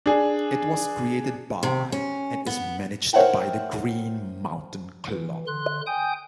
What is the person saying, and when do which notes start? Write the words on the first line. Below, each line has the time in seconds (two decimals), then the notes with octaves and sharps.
It was created by and is managed by the Green Mountain Club.
0.06 D4 G#4
1.63 C3
1.92 C#4
2.47 B3
3.13 A#4 C5 C#5 E5 F#5 G5
5.13 E3
5.47 D3 C6 F#6
5.86 G5 G#5 D#6 G6